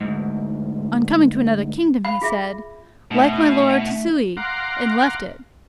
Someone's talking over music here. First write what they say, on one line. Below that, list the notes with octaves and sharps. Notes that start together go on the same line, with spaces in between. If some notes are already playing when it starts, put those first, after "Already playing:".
On coming to another kingdom he said, 'Like my lord Ts'ui,' and left it.
D2 G#2
F5 B5
F4 G#4 E5
B2 A3 D#4 E5
F5 F#5 A#5 C6 D6